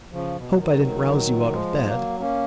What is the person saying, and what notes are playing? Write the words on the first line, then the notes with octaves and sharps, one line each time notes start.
"Hope I didn't rouse you out of bed."
C#3 F3
B2
D#3 F#3
F3 G#3
F#3 A#3
A#3 C#4